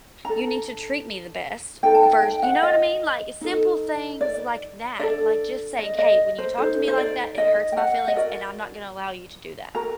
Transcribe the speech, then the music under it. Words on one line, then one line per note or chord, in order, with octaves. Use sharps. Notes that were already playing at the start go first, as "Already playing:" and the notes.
you need to treat me the best vers you know what I mean, like, simple things like that, like, just saying, “hey, when you talk to me like that, it hurts my feelings and I'm not gonna allow you to do that.”
D4 A4 A#5
D#4 A4 G5
A5
G5
G5
F#5
D#5
D#4 A4
D5
D4 A4 D5
D#5
D#5
C5
D#4 F#4 A4 C5
C5
D5
D#5
G5
F#5
D#5
F#4 A#4 D5
F#4 A#4 A#5